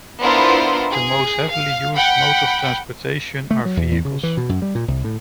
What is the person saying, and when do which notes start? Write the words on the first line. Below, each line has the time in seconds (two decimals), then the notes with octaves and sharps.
The most heavily used mode of transportation are vehicles.
0.21 B3 D4 E4 F4 A#4 C5
0.92 G#4
1.50 F5
1.95 F#5 G5 B5
3.51 A3
3.65 F#3
3.77 E2
3.91 E2
4.05 C#3
4.23 E3
4.37 B2
4.49 F#2
4.62 G3
4.75 A#2
4.88 C2
5.04 A2